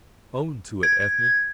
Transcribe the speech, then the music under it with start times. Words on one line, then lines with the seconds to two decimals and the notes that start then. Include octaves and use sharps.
Own to it, Ethne!
0.83 G#6